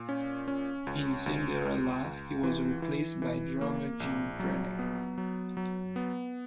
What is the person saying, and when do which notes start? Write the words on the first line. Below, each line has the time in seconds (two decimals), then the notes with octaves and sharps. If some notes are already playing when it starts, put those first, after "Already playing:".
In Cinderella, he was replaced by drummer Jim Drnec.
Already playing: A#2
0.09 C#4
0.48 C#4
0.87 C#2
1.26 C#2
1.65 C#2
2.04 C#2
2.43 E3
2.82 E3
3.22 E3
3.61 A#3
4.00 A#1
4.40 F#3
4.79 B3
5.18 F#3
5.57 F#3
5.96 B3